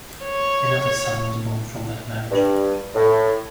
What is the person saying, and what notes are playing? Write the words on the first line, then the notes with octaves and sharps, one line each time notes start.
Another son was born from that marriage.
C#5
G2
A2